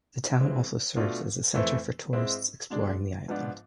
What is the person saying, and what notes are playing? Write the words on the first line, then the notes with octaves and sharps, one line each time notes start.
The town also serves as a centre for tourists exploring the island.
E3 G#3 C4
B2 A3 D4 F4
F2 E3 A3 C4 E4
G#2 G#3 C4 E4
B2 G#3 D4
G#2 F3 B3 D4 F4